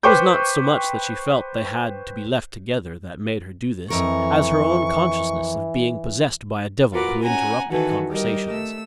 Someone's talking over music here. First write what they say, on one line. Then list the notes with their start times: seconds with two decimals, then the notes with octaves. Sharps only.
It was not so much that she felt they had to be left together that made her do this as her own consciousness of being possessed by a devil who interrupted conversations.
0.03 B4 C5 G5 C#6 D6 G6
3.90 F2 E3 A#4 C#6
6.93 F4 F#4 A#4 B4 F#5 D6
7.23 C#4 F#5 G#5 A#5
7.69 D#3 E3 F#4 A4 B4 G#5
8.09 G3 G4 A#4 D#5
8.51 A3 E6